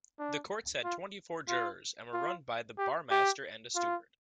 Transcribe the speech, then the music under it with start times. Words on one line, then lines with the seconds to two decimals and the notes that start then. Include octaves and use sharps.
The courts had twenty-four jurors, and were run by the Barmaster and a steward.
0.19 D4
0.84 F4
1.49 F4
2.13 F4
2.78 G4
3.11 G4
3.76 F4